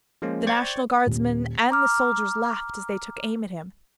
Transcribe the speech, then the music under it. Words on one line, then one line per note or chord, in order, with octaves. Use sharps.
The National Guardsmen and the soldiers laughed as they took aim at him.
F3 G#3 A#3 C#4 F4
C5 D5 G5 C#6 G#6 A6
D#1
A#5 D6 F6